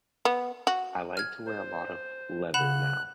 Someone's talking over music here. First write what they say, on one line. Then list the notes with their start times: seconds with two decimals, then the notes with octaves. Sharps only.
I like to wear a lot of leather now.
0.25 B3
0.67 F#4
1.17 F6 G#6
1.46 C5
2.54 C#3 F#5 B5 F#6 E7